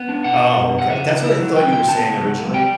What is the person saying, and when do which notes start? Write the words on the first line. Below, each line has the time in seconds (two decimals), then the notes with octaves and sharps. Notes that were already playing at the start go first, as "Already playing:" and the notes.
Oh, okay. That's what I thought you were saying originally.
Already playing: B3
0.09 D4
0.24 B2 F#5
0.41 B2
0.58 F#2
0.74 F#2 F#5
0.89 C#3 E5
1.07 C#3
1.23 E4
1.40 F#3
1.56 D2 G5
1.72 D3 G5
1.88 B3 A5
2.05 C#3
2.21 F#3
2.37 C#2
2.54 G3 G5